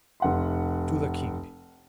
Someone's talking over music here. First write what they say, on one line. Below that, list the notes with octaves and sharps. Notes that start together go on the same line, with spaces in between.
"To the king."
F1 F#5 C6